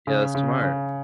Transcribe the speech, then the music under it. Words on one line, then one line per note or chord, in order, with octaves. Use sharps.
Yeah, that's smart.
C#3
C#3
C#3